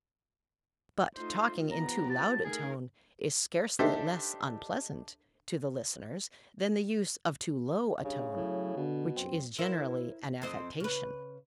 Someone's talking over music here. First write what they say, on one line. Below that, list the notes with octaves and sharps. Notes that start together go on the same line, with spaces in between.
But talking in too loud a tone is scarcely less unpleasant to the listeners than the use of too low a tone, which is generally an affectation.
A3 D#4 F4 C5
F3 B3 G4 A#5
A5
A3 D#4 G#4 A#4
D4 D#4 G4 A4 C5 E5
G2 C#3
A2 F#3
B2 D3
F#2 C4
E4 A#4 C5
F2 C4 D#5
C#3 B4